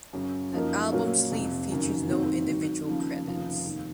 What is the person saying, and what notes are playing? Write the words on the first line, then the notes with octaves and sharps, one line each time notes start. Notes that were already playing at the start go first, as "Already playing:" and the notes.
The album sleeve features no individual credits.
F#2 C#3 F#3
F#2 F3 A#3 D#4 A#4
A#2 F#3 C#4 F#4 A#4
F1 F2 C3
F#1 F#2 D#3
F1 D#2 D#3 F#3 C4
G#2 D#3 F#3
D#2 C#3 F3
F1 D#2 C#3 F3
F1 D#2 D#3